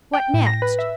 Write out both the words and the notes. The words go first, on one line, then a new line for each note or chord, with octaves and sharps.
"What next?"
G5
A2
A#6
B4
E5